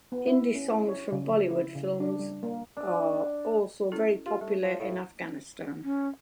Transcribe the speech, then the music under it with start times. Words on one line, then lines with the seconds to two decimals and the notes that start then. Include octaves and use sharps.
Hindi songs from Bollywood films are also very popular in Afghanistan.
0.12 B3
0.27 E4
0.55 C#4
0.71 E4
0.88 C#5
1.12 C#3
1.29 F3
1.50 E4
1.75 C#3
2.00 D4
2.19 G3
2.43 A#3
2.77 D4
3.92 C#4 E4 A4
4.26 F4 G4
4.41 G3 A3
4.63 F3 C#5
4.80 A2 E4 F5
5.84 C#4